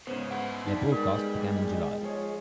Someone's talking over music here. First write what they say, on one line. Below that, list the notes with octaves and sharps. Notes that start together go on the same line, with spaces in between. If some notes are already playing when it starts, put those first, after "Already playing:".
Their broadcast began in July.
G#2 C#3 B3 C5
E4 C5 F#5
G3 D#4
G#3 A#4
F3 G#4 C#5